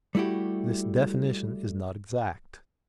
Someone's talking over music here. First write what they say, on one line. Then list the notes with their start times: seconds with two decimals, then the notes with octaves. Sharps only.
'This definition is not exact.
0.15 G3 A3 E4 F#4 G4